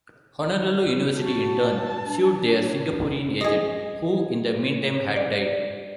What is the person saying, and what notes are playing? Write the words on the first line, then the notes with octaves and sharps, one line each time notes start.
Honolulu University in turn sued their Singaporean agent, who in the meantime had died.
F#4 A5
D4
D4
G#4 D#5
D5